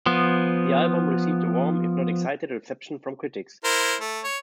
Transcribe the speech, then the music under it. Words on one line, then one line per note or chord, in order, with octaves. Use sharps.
The album received a warm, if not excited, reception from critics.
F3 B3
E4 A#4 C5
A3
C#5